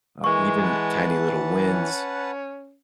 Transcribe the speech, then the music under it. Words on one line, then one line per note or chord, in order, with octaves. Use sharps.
Uh, even tiny little wins
E3 G#3 A#3 C#6
B4 F#5 A5
C#4